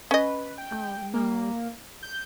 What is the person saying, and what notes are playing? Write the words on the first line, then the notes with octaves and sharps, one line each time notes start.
Oh, no, w
C#4 B4 D#5
G5
A#3
G6